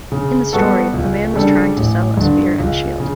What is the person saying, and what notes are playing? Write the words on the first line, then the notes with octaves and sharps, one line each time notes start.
In the story, a man was trying to sell a spear and a shield.
C#3
G3 B3 F#4 A4
C#2
C#3 G3 D4 A4
A1
G2 D3
C#2
C#3